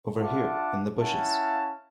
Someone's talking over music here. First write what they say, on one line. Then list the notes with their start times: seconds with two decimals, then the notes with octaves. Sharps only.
Over here in the bushes.
0.20 D4 F4 E5 F#5 A5 D6
0.98 C#4 E4 F5 F#5 A5